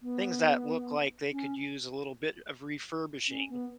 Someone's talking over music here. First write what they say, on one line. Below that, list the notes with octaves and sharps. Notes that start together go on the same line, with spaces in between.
things that look like they could use a little bit of refurbishing.
B3
C#4
C#4
B3